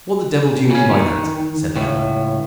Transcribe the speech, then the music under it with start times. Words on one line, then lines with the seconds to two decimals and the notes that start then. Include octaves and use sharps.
"What the devil do you mean by that?" said the other.
0.71 C#3 C#4
0.91 D#3
1.76 C#2 A2